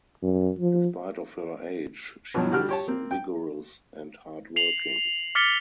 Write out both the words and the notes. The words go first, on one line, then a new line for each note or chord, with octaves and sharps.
In spite of her age, she is vigorous and hard-working.
F#2
F3
G2 B2 F3 F#3
D3 G3 F#4 G4 F6
G4 C#5 A5
A#3 C4
G5
C7 F7 F#7
D6 F6 A6 B6 C#7 G7